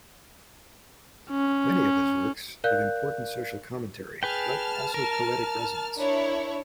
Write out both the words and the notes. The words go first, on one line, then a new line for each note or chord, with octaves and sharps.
Many of his works have important social commentary but also poetic resonance.
C#4
A#4 D5 F5 F#6 G6
G#4 B4 G5 A5 F6
A#4
D4 E4 C#5